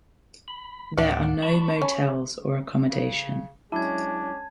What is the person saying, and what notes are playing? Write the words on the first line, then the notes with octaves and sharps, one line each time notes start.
There are no motels or accommodation.
B5
D2 A2 D4 F5 F#5
A5 B5 C#6
C#4
C#3
F#3 G#3 C#4 D4 E4 A5 G#6